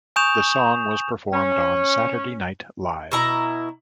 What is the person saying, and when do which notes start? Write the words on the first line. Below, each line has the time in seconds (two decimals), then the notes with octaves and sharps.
The song was performed on "Saturday Night Live".
0.16 G#5 C#6 D#6 G6 E7 F7
1.34 C#4
3.12 B2 E4 A#5